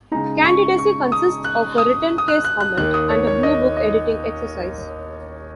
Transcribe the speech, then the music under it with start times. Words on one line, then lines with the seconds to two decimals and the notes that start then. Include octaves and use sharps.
Candidacy consists of a written case comment and a Bluebook editing exercise.
0.12 C#3 G#3 D#4 A#5
0.45 C#6
0.78 C#6
1.12 D#6
1.44 F#6
1.78 D#6
2.18 D#6
2.28 F#6
2.44 F#6
2.60 F#6
2.77 D#2 D#3 A#3 F#6
2.94 D#6
3.10 C#5
3.27 C#5
3.43 D#5
3.77 D#5